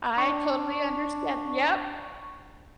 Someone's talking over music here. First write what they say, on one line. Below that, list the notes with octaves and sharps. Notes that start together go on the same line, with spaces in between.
I totally understand yep.
D4 C#6